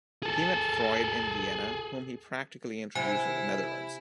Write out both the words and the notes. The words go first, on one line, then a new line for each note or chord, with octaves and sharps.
He met Freud in Vienna, whom he practically introduced in the Netherlands.
G#4 A4
C3 E4 F#5 G#5